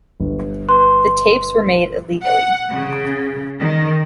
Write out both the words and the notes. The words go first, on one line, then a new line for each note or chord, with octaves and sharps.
The tapes were made illegally.
G1
B4 C6 F#6
F#5
C#3
D#3